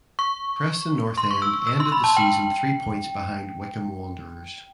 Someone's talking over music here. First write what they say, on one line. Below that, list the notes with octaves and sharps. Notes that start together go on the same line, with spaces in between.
Preston North End ended the season three points behind Wycombe Wanderers.
C#6
C6
C#6
E6
E6
C6
B5
A5
G5